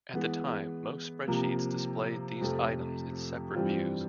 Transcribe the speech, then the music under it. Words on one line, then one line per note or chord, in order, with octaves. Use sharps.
At the time, most spreadsheets displayed these items in separate views.
E3 G#3 B3
C3 F3 A#3
F2 C3 F3 A3
G2 E3 G3 C4 F4